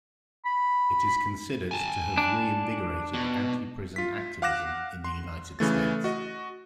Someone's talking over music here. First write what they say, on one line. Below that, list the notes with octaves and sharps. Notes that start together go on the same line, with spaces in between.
It is considered to have re-invigorated anti-prison activism in the United States.
B5
G#5 A5
D4
B2
F4 B6
F5 F#5 D6 F#6 A#6 E7
C6
C#3 E3 A3 A6
F#4 D#5